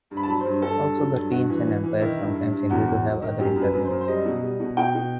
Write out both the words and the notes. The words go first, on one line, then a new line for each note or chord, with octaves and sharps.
Also, the teams and umpires sometimes agree to have other intervals.
G2
B5
A5
F#3 B5
C5
G2
G2 A4
G2
F#3
G2
G2 F#4
E3
E3
E3
D#3 E4
G2
G2
G2
E2 F#4
E2
F#3
D#3
F#2 G4
F#2
B4
F#2
C5
F#2
C5
G3 D#5
B2
G3
B2
B2 G5
B2